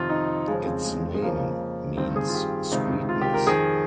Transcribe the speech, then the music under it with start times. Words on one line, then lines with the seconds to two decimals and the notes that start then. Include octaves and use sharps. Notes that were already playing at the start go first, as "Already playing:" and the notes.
Its name means "sweetness".
Already playing: F2 C3 D#3 F4
0.09 D#4
0.47 F2 C#3 F3 G#3
0.66 C4
0.85 G#3
1.04 G#3
1.15 G#3
1.22 F2 C#3 F3 A#3
1.97 G2 D#3 C4
2.16 G#4
2.28 F4
2.34 G4
2.71 C#2 C3 D#3
3.09 F4
3.21 G4
3.34 A#4
3.47 F2 D#3 G#4